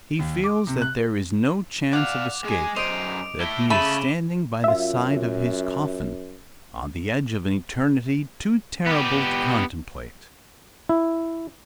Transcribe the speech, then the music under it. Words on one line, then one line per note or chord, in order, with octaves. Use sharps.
He feels that there is no chance of escape; that he is standing by the side of his coffin--on the edge of an Eternity too terrible to contemplate.
D#2
D6
C3
F#6
D5 F5 F#5 D6 F7
G#3 G#5
F#2 C5 D#5 D7 F7
A3 E4 G7
C#3 A3 B5 D#7 E7
F#2 F4 E5
B3 G4
E4